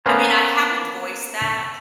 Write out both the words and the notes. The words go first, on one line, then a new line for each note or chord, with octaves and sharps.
I mean, I haven't voiced that,
A#3 B3 C#4 B4 C5